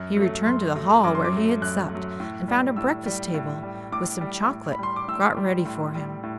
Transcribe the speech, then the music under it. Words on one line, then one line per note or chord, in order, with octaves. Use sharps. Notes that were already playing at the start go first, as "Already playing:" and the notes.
He returned to the hall, where he had supped, and found a breakfast table, with some chocolate got ready for him.
Already playing: F#2
F#3 A3
F#2 C6
F#3 A3
F#2 D6
C6
D6
F#3 A3
F#2 F#6
A3
F#3
A2
G3
A2 E6
G3
A2
G3
A2 D6
G3
A2
B5
G3 C6
D6
A2 E6
G3
A2
G3
A2